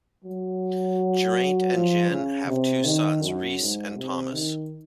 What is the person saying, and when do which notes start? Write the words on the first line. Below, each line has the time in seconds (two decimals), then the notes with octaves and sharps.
Geraint and Jen have two sons, Rhys and Thomas.
0.24 F#3
1.73 F3
2.10 C#3
2.47 C3
2.84 D#3
3.22 F#2
3.59 G#2
3.96 C3
4.34 D#3